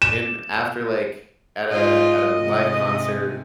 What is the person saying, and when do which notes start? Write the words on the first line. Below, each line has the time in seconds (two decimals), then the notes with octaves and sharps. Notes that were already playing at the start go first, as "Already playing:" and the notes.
and after, like, at a at a live concert,
0.02 E7
1.71 G#2 F4 D#5
2.39 G#2 C3